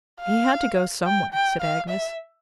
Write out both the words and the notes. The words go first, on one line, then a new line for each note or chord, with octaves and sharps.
"He had to go somewhere," said Agnes.
F5
G5
G5
F5
E5